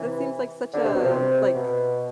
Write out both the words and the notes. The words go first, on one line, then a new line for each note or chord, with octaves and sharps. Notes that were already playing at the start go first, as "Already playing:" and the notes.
That seems like such a, like
Already playing: C3 E3
D3
C3
B2
C3
B2